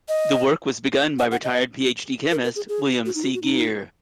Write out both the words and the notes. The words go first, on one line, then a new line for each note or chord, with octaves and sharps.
The work was begun by retired Ph.D chemist, William C. Geer.
D#5
F#5
F#5
D#5
A#4
A#4
G#4
G#4
F#4
D#4
F#4
F#4
D#4